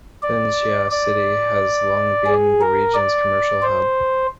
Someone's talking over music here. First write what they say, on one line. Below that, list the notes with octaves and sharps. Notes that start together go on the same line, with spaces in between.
Linxia City has long been the region's commercial hub.
D5
D5
G#4
A#4
D5
C5